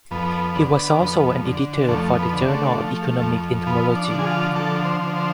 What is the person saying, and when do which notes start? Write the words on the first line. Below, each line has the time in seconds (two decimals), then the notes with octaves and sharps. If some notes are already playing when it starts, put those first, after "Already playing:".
He was also an editor of the "Journal of Economic Entomology".
0.11 F2 B3
0.56 D3
1.01 F2
1.45 D3
1.89 F2 A3
2.19 B3
2.33 D3
2.48 A3
2.78 F3
3.22 F2
3.66 F3 B3
3.96 D4
4.11 D3
4.19 G#4
4.27 F4
4.56 F3 A4
4.85 C5
5.00 D3
5.15 C5